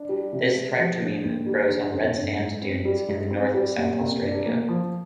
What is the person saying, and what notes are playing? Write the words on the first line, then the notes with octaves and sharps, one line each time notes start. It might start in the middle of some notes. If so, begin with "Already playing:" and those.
This thryptomene grows on red sand dunes in the north of South Australia.
Already playing: D4
G3
C3
G#3
F3
D3
D#2
G3
D3
F2
G1
G#2
C4
G3
G#2
C4
G3
A#2
C2
D4
A#3
F3